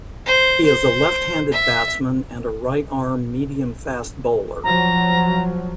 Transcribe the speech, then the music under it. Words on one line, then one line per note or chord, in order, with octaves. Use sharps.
He is a left-handed batsman and a right-arm medium-fast bowler.
C5
C5
E5
F3 F#3 A#5